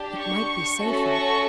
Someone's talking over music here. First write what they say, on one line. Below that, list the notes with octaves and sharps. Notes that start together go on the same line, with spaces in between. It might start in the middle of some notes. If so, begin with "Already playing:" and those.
It might be safer.
Already playing: D4 G4
C#6
A3 C#4 F#4 A4
C#6